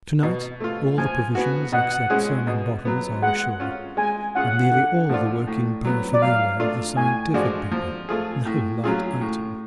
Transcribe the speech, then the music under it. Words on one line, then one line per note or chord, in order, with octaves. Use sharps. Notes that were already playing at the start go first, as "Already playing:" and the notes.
To-night all the provisions except some in bottles are ashore and nearly all the working paraphernalia of the scientific people--no light item.
B2
A3 F4
F3 G#5
B3 F#4
B2 F#5
G#3 C#4 G#4
B2
F#3 B3
G#3 F#5
C#4 F4
G#3 G#5
C#4 F4 G#4 F#5
D3
F3 A3 D4 F4
A2
F#3 B3
D5
F#3 F5
A3 D4 F4
A2 G#5
F3 G#3 D4 F#4
F3
A3 F4 G#4
A2
F#3 C#4 F4 G#4
A2